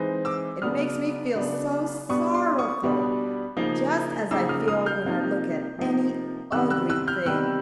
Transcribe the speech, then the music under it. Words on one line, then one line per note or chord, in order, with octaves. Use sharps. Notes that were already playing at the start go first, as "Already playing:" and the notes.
It makes me feel so sorrowful--just as I feel when I look at any ugly thing.
Already playing: E3 G#3 C4 D#4
D6 E6
C#3 F#3 B3 D4 D#6 F6
C#3 F#3 B3 D4
B2 G3 B3 D4 C#6 D#6
C6 D6
C#6 D#6
B2 G3 B3 D4
C#3 F3 A#3 D#4
C#3 F3 A#3 D#4 D6 E6
D#6 F6
D#6 F6
F6 G6
C3 F3 A#3 D#4
C3 F3 A#3 D#4
C3 D#3 G3 B3 E6 F#6
E6 F#6
E6 F#6
F6 G6
C3 D#3 G3 B3 E6 F#6